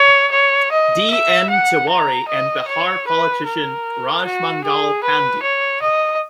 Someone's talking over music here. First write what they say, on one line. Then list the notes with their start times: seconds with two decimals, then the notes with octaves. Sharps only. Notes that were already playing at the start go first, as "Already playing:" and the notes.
D. N. Tiwari and Bihar politician Raj Mangal Pandey.
Already playing: C#5
0.31 C#5
0.71 D#5
1.10 E5
1.49 F#5
1.89 A#5
2.28 D#5
2.68 C#5
3.07 B4
3.46 A#4
4.25 F#4
4.64 G#4
5.03 B4
5.42 C#5
5.82 D#5